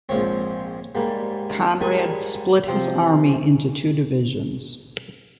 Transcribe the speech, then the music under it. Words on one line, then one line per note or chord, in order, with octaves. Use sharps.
Conrad split his army into two divisions.
A#1 G#2 F3 C4 C#5
G#2 G3 A#3
G#2 G3 A#3 G#5
C3 F3 C4